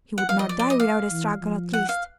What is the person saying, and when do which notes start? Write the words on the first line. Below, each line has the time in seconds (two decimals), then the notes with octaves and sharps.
He would not die without a struggle at least.
0.18 F3 F#5
0.29 F5
0.39 D#5
0.49 D5
0.59 D5
0.70 D#5
0.80 F5
1.11 E3
1.41 F3
1.73 F#5
1.89 F5